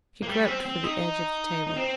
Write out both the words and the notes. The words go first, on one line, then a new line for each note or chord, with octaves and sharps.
She groped for the edge of the table.
A#3
G3
C4
C4
D#4
D#4
C4